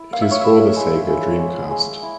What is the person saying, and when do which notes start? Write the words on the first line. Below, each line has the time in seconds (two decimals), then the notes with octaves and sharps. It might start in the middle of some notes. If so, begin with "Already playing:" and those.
It is for the Sega Dreamcast.
Already playing: E4
0.13 A#3 F5
0.22 E5
0.31 C#5
0.41 E4 E5
0.76 G#3
1.08 G#3
1.39 G#3
1.71 G#3
2.03 E4